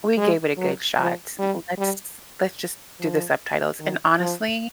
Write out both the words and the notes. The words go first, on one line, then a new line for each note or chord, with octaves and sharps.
We gave it a good shot. Let's let's just do the subtitles." And, honestly
G#3
F#3
F3
G3
G3
F3
D#3
F3